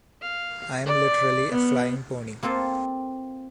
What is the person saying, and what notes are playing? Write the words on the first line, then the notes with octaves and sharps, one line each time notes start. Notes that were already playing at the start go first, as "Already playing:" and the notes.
I am literally a flying pony.
F5
D5
B3
A#3 C4 F4 A4